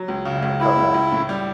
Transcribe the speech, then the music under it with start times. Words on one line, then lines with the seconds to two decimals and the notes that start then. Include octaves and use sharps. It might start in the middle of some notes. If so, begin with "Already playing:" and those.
um, come back to me.
Already playing: F#3
0.08 C#2
0.25 C#3
0.43 C#2
0.60 C#2 E4
0.77 C#2
0.94 C#2
1.12 A2
1.29 G3